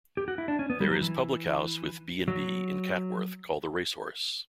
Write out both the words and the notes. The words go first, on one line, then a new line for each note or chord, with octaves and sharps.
There is public house with B and B in Catworth called The Racehorse.
G4
F#4
E4
D4
C#4
B3
G3
F#3
E3
F#3